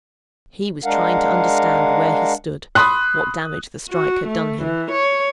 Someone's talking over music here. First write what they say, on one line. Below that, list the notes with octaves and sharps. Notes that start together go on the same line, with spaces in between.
He was trying to understand where he stood; what damage the strike had done him.
G#3 D4 A#4 F5 F#5
B5 C6 D#6 F#6
F#4
A3
E3
C#5